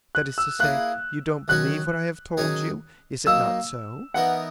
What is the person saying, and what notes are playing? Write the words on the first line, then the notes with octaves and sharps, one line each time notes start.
"That is to say, you don't believe what I have told you; is it not so?"
F#6
E6
A#3 E4 G#4 F#6
D#3 F#3 C#4 F#4 C#5 F#6
D#3 F#3 C#4 G#4 C#5
F#3 A#3 D#4 E6
E3 B3 D#4 A#4 F#5